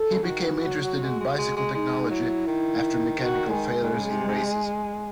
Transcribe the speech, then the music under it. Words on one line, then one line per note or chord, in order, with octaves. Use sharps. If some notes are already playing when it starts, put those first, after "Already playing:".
He became interested in bicycle technology after mechanical failures in races.
Already playing: A4
C#3
C#3
D#3 F#4
E3
F#3
F#3
G#3
G#3
G#3
G#3
G#3 D#4
F#3 E4
D#3
F#4
G#3
D#3
C#3
C3
C3